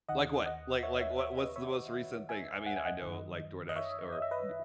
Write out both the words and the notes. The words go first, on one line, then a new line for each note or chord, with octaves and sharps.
Like what? Like like, what what's the most recent thing? I mean, I know, like, DoorDash or, y
D#2 D#3 D#5 F#5
D#5 F#5
C#5 E5
C#5 E5
C#5 E5
B4 D#5
C#5 E5
E5 G#5
F#5
G#5
D#5 F#5
F#2 D#3
D#5
C#5 E5
D#5
E5
B4 D#5